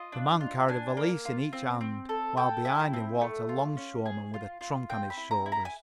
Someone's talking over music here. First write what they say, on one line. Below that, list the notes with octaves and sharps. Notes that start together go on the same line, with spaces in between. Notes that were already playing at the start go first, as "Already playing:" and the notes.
The man carried a valise in each hand, while behind him walked a 'longshoreman with a trunk on his shoulder.
Already playing: F4 D#5
D4
F4
D4 G#5
A#3
F4
C4
C4
A4
A4 G5
E4
C4
A3
F4
C#4
G#4
F4
F4
C4 G5
B5
E4
A#5
E4
A#5
G#5